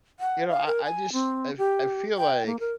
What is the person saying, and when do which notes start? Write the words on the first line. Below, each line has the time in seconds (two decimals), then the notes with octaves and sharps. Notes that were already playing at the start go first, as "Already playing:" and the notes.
you know, I I just, I I feel like
0.20 F#5
0.49 F5
0.66 A#4
0.85 G#5
1.13 C4
1.58 G4
2.17 G5
2.46 A#3
2.60 A#4